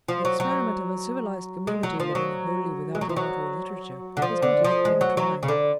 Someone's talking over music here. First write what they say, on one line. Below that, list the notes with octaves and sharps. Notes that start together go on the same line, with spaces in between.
The experiment of a civilized community living wholly without art or literature has not yet been tried.
F3
F#3
F#3
G#3
F#3
F3
F#3
G#3
F#3
F3
F#3
D3
F3
D3
F3
G#3
F#3
F#3
C#3
D3